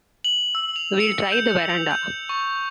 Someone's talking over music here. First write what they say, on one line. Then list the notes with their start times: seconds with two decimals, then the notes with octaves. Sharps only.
We'll try the verandah.
0.24 F#7
0.55 E6
0.76 F7
1.00 C#7
1.32 G6
1.70 F7
1.91 G6
2.29 C#6